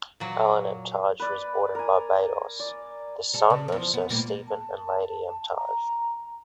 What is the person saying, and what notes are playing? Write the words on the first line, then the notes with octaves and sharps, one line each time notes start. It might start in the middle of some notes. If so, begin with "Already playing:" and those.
Alan Emtage was born in Barbados, the son of Sir Stephen and Lady Emtage.
A#2 F#3
B4 D5
A#4 G#5
D5
G3 A4
C#3
E2 F3
B3
A#2 G3 A#3
A5
A#5